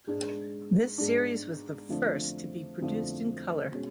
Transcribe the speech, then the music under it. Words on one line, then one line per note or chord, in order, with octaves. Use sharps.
This series was the first to be produced in colour.
G#2 G#3 D4
G#2 G#3 D4
F2 D3 F3 A3 D4
F2 D3 F3 A3 D4
B2 G#3 C#4